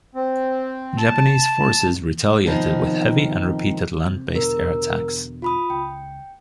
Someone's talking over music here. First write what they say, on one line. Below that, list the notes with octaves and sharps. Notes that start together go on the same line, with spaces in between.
Japanese forces retaliated with heavy and repeated land-based air attacks.
C4
A5
G#2 C3 D#3 F3 B3 D#4
C3
E2 B2 D3 A#4
F4 B5 D#6
C#2 G5